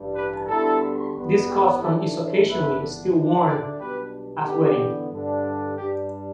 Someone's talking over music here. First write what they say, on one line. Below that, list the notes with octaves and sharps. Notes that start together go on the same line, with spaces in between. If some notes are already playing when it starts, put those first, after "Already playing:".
This costume is occasionally still worn at weddings.
Already playing: A1 G2 G3 D4
G4 B4
D2 D3 G3 B3 D4 E4 A4
A1 G2 G3 B3
G4
A2 E3 A3 D4 E4 A4
G1 G2 E3 B3 D4 B4 E5
D2 D3 A3 D4
A4 D5
B1 B2 G3 D4 G4 B4
E2 D3 B3 D4 G4
G2 D3 G3 D4
G2 G3 D4 G4